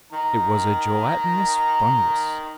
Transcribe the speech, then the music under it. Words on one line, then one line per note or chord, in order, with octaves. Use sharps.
It was a gelatinous fungus.
D#3 A#5